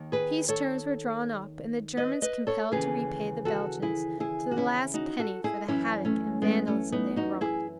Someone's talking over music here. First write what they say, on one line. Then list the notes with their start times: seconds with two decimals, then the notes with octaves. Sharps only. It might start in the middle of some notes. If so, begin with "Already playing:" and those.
Peace terms were drawn up and the Germans compelled to repay the Belgians to the last penny for the havoc and vandalism they had wrought.
Already playing: D#2 D#3
0.12 G#4 B4
0.49 A4 C#5
1.97 B4 D#5
2.22 B4 D#5
2.47 A4 C#5
2.72 D#2 C#3 E3 G#4 B4
3.45 F#4 A4
3.82 E4 G#4
4.20 E4 G#4
4.51 F#4
4.56 C#4 E4
4.94 D#4 F#4
5.19 F#4 A4
5.44 E4 G#4
5.68 F#2 E3 C#4 E4
6.05 A3 C#4
6.42 G#3 B3
6.67 A3 C#4
6.92 B3 D#4
7.16 D#4 F#4
7.41 E4 G#4